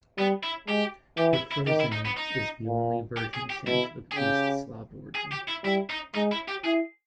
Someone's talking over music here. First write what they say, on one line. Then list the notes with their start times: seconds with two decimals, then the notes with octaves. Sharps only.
Euphrosyne is the only virgin saint of East Slav origin.
0.18 G3 B3
0.43 E4
0.68 G#3 G4
1.18 E3 G4
1.34 E4
1.51 E4
1.67 D#3 G4
1.80 E4
1.92 D#4
2.05 B3
2.17 D#4
2.67 A#2
3.17 G4
3.34 G#4
3.50 G4
3.66 B2 E4
4.12 G#4
4.16 C#3 G4
5.15 G#4
5.33 G4
5.49 E4
5.65 G3 E4
5.90 D#4
6.15 G#3 D#4
6.32 E4
6.48 G4
6.64 E4 G#4